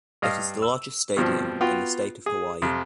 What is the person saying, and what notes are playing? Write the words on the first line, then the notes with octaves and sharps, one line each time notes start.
It is the largest stadium in the state of Hawaii.
G2 D#5 F5
E6
G2 B2 F3 C4
B3 F4 F#4 G5
G#4
F2 C3